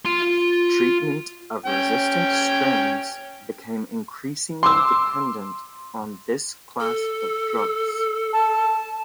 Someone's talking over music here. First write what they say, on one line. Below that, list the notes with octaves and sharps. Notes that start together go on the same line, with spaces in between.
Treatment of resistant strains became increasingly dependent on this class of drugs.
F4 C6
C#4 G5
C6 D6 E6
A4
A5